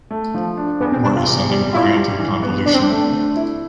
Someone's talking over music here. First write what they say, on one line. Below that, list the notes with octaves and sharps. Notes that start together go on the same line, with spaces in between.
Or ascending parietal convolution.
A3
F3
D4
E2 B3
C4
C3 D4
F4
E2
G3
E4 F4
G3
E3
B3
D3 D4
C4
D4
A3
D3
E4